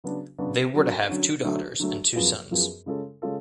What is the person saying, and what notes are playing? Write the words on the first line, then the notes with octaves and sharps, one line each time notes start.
They were to have two daughters and two sons.
C#3 F#3 B3 D4 F#4
C#3 F#3 B3 D4 F#4
D3 F#3 C#4
D3 F#3 C#4
D3 F#3 A3
D3 F#3 A3
F#2 F3 B3 F4 G#4
F#2 F3 B3 F4 G#4
C#3 G#3 C#4 F4 A4
C#3 G#3 C#4 F4 A4